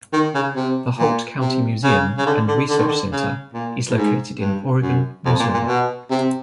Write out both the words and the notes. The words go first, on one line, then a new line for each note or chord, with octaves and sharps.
The Holt County Museum and Research Center is located in Oregon, Missouri.
D#3
C#3
C3
A#2
C3
C#3
C#3
D3
D3
D3
D#3
D3
C#3
A#2
A2
G#2
G2
F#2
F2
A#2
A#2
B2
C3